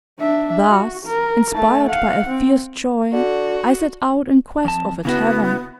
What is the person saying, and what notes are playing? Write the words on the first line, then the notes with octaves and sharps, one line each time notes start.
Thus, inspired by a fierce joy, I set out in quest of a tavern.
D4 E5
F#4
A#4
A3 A5
F5 F#5
C4
D3 F#4
F2 A5
C#3 B3 E4 F#4